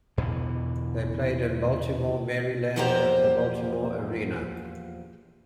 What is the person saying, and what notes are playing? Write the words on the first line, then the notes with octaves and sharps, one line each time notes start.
They played in Baltimore, Maryland, at the Baltimore Arena.
E2 B2 D3 E3
E2 F3 A#3 G4 C5 A#5